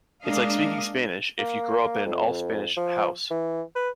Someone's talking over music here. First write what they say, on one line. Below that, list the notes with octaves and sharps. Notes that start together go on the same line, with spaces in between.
It's like speaking Spanish if you grow up in an all-Spanish house.
G#3 A#3 D4 D#5 F5
A#3
F2
F3
E3
B4